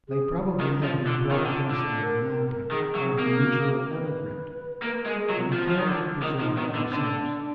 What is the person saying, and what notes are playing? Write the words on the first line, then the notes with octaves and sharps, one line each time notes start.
They probably had been brought across the Atlantic by the original emigrant, and carefully preserved ever since.
G#4
F4
D#3
F3
D3
D#3
D3
D3
A#4
D#3 G#4
F#3
A#3
F#4
G#4
A#4
B4
A#3 A#4
B4
A#4
G#3
G#4
F#3
F4
F3
F3
D#3
D3
D#3
F3 D#4
D#3 B3
D4
D3 B3
D3 D4